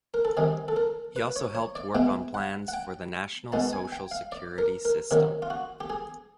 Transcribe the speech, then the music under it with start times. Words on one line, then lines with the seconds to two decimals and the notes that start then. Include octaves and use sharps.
He also helped work on plans for the national social security system.
0.14 A#4
0.25 A4
0.37 C3 D#3 G3 G#4
0.68 A4
0.76 A#4
1.16 B4
1.36 C#5
1.55 C#5
1.75 D5
1.95 B2 G#3 B3 E4 G5
2.34 F#5
2.68 F#5
2.74 G5
3.52 B2 G#3 B3 D#4 A5
3.73 G#5
3.92 G5
4.11 F5
4.32 D5
4.58 A#4
4.85 A#4
5.11 C3 D#3 F#3 A#4
5.42 F4
5.50 F#4
5.80 G4
5.90 G#4